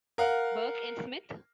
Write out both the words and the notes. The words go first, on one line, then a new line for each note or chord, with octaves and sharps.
Burk and Smith?
A#4 F5 F#5